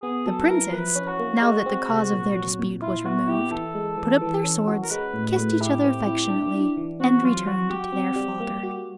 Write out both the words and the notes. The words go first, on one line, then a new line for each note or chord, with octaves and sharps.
The Princes, now that the cause of their dispute was removed, put up their swords, kissed each other affectionately, and returned to their father.
B3 G#4
F#3 A4
E4 A#4
F3 B4
C#4
F#4
A#3
G#3
C4
C3
A#2
F#3
A#2
E4 F4
B3 F#4
E4 G4
E3 A4
G#3
E3
E3
C#4
F#4
A#4
G#3 B4
A2
B4
A2
E4 G4
C4
E4
D4
D4
E3
C4 F#4
F#3 F4
F#3 F#4
F#4 G4
C4
G3
A#3
F#4